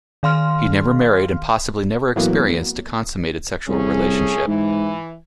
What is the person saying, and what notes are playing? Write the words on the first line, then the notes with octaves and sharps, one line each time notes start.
He never married and possibly never experienced a consummated sexual relationship.
D#3 F5 C6 F6
A2 E3 F#3 A#3 B3
C2 A3 C#4 G#4
G#2 E3